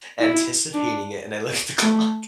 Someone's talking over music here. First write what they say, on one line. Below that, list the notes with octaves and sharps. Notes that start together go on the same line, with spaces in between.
anticipating it. And I look at the clock,
E4
D4
A3